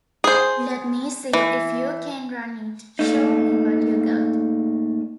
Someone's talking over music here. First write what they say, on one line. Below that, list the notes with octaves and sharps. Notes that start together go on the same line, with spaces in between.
'Let me see if you can run it; show me what you got.
G#4 C5
E3
A#2 A3 D#4